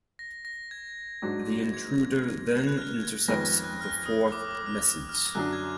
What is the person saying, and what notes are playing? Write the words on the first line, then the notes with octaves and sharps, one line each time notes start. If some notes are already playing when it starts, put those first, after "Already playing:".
The intruder then intercepts the fourth message.
A#6
A#6
G#6
G#2 F#3 D4 F#4
G#6
G#6
F#6
F6
G#6
F2 D#3 G#3 B3 A#6
F#6
F6
D#6
D6
F6
F6
F#2 D3 F#3 D4 F#4 F#6
G#6